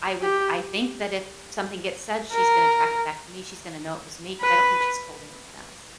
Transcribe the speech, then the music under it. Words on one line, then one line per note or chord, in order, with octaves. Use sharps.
I would I think that if something gets said, she's gonna track it back to me, she's gonna know it was me 'cause I don't think she's told anyone else.
G4
A#4
B4